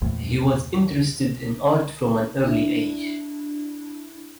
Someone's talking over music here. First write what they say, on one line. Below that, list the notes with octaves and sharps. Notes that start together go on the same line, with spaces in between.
He was interested in art from an early age.
A#1 E2 A3
D4 E4